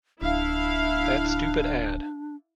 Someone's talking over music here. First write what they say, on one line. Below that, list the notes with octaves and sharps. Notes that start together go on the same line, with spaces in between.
That stupid ad.
D1 D4 E4 F5